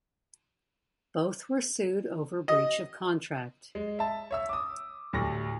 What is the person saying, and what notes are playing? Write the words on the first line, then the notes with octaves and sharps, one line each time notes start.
Both were sued over breach of contract.
D#5
G#3
E5 A5
C#5 E5 E6
D6 D#6
D2 A2 G3 A4 C#6 A#6